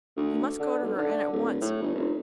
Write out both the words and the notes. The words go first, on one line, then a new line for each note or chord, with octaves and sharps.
He must go to her, and at once.
D2
D3
B1
D3
D1
A2
G1
F1